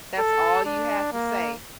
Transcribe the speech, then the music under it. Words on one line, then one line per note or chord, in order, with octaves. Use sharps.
That's all you have to say.
A4
D4
A#3